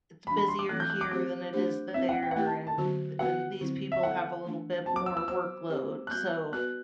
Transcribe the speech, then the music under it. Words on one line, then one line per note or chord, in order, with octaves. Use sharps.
it's busier here than it is there, and and these people have a little bit more workload, so
E3 G3 B3 D4 F#4 B5
B5
C6
D6
E3 A3 C4 E4 A4 F#6
G6
F#6
D6
A3 C4 G4 C5 D6
A3 D4 G4 C5
C4 E4 B4 E5
F#5
G5
F#5
A3 E4 G4 G5
A5
A5
D3 F#3 B3 F#4
B3 F#4 B4 F#5
D3 F#3 C4 E4
E5
B3 E4 A4 F#5
E3 A3 D4
C4 F#4 C5 A5
D6
E6
E6
F#3 B3 F#4 C5 E6
C4 G4 C5
F#6
G3 B3 F#4 G6
B3 F#4 B4 D5 F#6